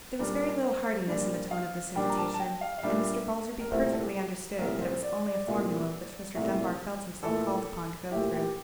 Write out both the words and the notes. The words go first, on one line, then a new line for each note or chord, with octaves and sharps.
There was very little heartiness in the tone of this invitation; and Mr. Balderby perfectly understood that it was only a formula which Mr. Dunbar felt himself called upon to go through.
A#2 G3 D4 A#4
C5
A#2 G3 D4 D5
F5
A#2 G3 D4 G5
A#5
A5
A5
G5
F5
F5
A#2 G3 D4 E5
A#4
C2 A#2 A3 E4 C5
A4
G4
C2 A#2 A3 E4 A#4
C5
D5
D5
C2 A#2 A3 E4
C2 A#2 A3 E4
A#2 A3 E4 A4
A#2 A3 E4 G4
G4